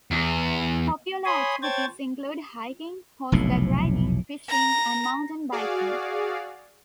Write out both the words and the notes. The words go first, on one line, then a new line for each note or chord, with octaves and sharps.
Popular activities include hiking, horseback riding, fishing and mountain biking.
E2
C#5 G#5 B5 C6 D#6
C5 C#5 G5 A5 G#6 A6
F1 B1 A2
A#5
F#4 G#4 D5 F5